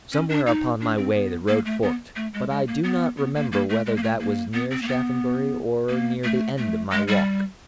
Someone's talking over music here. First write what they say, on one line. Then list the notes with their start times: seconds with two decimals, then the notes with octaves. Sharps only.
Somewhere upon my way the road forked, but I do not remember whether that was near Shaphambury or near the end of my walk.
0.12 C#4
0.29 D4
0.46 D#4
0.81 D4
0.97 C4
1.14 B3
1.48 A#3
1.65 A3
1.82 B3
2.16 A3
2.34 G#3
2.50 G#3
2.67 A#3
2.83 B3
3.18 B3
3.35 A#3
3.52 A#3
3.69 A3
3.86 G#3
3.96 A#3
4.03 A3
4.20 A#3
4.54 B3
4.71 C4
4.82 A#3
4.88 B3
5.89 A#3
6.24 A3
6.58 A3
6.92 G#3
7.08 G3